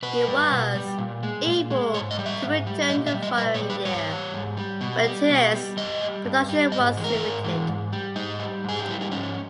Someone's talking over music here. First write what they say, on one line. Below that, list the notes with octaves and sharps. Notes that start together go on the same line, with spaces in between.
He was able to return the following year, but his production was limited.
B2 B4
G3
B2
G3
A#2
G#3
A#2
G#3
G#2 C#5
D#5
G3
E5
G#2
G3
A#2 D#5
E5
G3
D#5
A#2 B4
C#5
G3
B4
G#2 C#5
G3
G#2
G3
B2
G3
B2
G3
G2 D#5
G3
G2
G3
G#2 D#5
E3 G#3
A#4
G#2
E3 G#3
G#2
G3
G#2 D#4
G3
G#2 G#4
G4
G3 E4
D#4
G#2 C#4